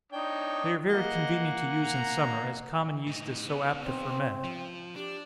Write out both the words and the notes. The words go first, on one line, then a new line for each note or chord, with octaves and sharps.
They are very convenient to use in summer, as common yeast is so apt to ferment.
D4 D#4 C#5 G5
A#3 D#5 F#5
A#5
A2 D#4
B3 D#4
C4
F3
D4 G4